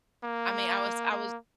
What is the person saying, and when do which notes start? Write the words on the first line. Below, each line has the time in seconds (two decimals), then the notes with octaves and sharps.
I mean, I was I was
0.24 A#3
1.12 A#3